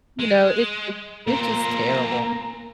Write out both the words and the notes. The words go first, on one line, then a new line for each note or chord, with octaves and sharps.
You know, it it's it's just terrible.
G#3
A#2 A#3 C4 A#5